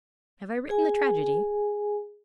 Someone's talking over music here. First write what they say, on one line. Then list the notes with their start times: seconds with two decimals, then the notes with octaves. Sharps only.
Have I written the tragedy?
0.69 G#4 G#5